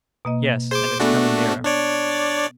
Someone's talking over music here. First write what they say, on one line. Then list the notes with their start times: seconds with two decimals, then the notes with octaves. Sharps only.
"Yes, and it's coming nearer."
0.25 B2 A#3 D#5
0.71 G#4 C5 C6 D6
1.00 A3 B3 D4 F#4 A4 G#5
1.65 D4 C#5 D5